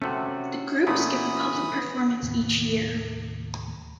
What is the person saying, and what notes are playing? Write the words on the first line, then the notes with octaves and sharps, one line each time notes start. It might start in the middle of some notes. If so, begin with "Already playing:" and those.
The groups give a public performance each year.
C3 A3 C#4 F#4
A#2 E3 A3 B3 B5 D#6
D#2 A2 C3 D#3